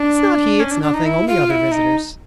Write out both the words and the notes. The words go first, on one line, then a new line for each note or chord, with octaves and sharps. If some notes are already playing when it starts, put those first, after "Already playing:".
"It's not he, it's nothing, only other visitors."
Already playing: D4
C#4
D4
D4
D#4
E4
F4
E4
D#4